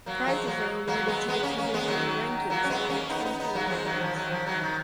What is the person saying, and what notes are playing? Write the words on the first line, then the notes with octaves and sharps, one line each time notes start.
Prizes are awarded to the provisional rankings every twenty rounds.
F#3 A#3
F3 G#3
F#3 A#3
F#3 A#3
G#3 B3
G#3 B3
A#3 C#4
A#3 C#4
G#3 B3
D#3 F#3
F#3 A#3
C#4
G#3 B3
A#3 C#4
B3 D#4
B3 D#4
B3 D#4
F#3 A#3
F#3
F3 G#3
D#3 F#3
F3
D#3 F#3
F3
D#3 F#3
D#3